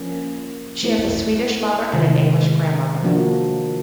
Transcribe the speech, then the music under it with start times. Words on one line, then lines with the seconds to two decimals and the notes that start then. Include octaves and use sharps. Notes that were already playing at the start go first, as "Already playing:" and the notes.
She has a Swedish mother and an English grandmother.
Already playing: F3 A#3 C#4
0.83 A3 C4 E4 G4
1.93 C3 D#3 G#3
3.03 F3 A#3 D4 F#4